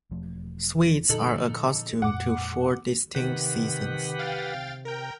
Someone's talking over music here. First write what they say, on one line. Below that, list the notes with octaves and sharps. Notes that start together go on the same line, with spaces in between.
Swedes are accustomed to four distinct seasons.
E1 F3 A3
A#2 D3 F3 D#4 A4 F#7
F2 A#2 G#3 F#5 D6
C3 D#3 G4 B4 F#5
F5 G5 A6
C3
A#4 G5